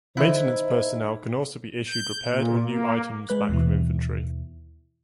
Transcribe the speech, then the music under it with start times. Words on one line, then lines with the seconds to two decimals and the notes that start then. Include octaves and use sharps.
Maintenance personnel can also be issued repaired or new items back from inventory.
0.17 D3 D#3 D#4 E4 C5 F#6
1.87 G6
2.22 A#2
2.59 A#3
3.29 G#3 B4 F#6
3.49 D#2 B2 E3